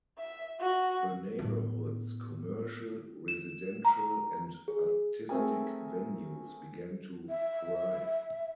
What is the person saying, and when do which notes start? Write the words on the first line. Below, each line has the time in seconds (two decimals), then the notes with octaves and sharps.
The neighborhood's commercial, residential, and artistic venues began to thrive.
0.18 E5
0.60 F#4
1.39 A2 B3
3.28 E7
3.85 A#5
4.68 G#4
5.29 A3 C4 G#4 A#4 G#5
7.28 E5